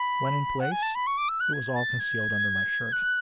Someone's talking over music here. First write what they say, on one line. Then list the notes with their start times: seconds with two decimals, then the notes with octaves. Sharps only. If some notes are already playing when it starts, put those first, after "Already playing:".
When in place it was all concealed under my shirt.
Already playing: B5
0.60 F#5
0.71 G#5
0.82 A5
0.95 B5
1.07 C#6
1.18 D6
1.29 E6
1.40 F#6
1.53 G#6
1.76 A6
2.00 G#6
2.92 F#6